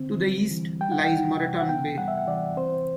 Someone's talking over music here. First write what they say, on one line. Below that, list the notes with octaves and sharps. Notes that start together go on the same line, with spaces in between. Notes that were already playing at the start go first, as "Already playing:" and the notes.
To the east lies Moreton Bay.
Already playing: D3 C4
G3
E3
G3 G5
F#5
G5
E3
C3
F#5
B3 G5
G3 F#5
E5
F#5
E3 D5
C4 C5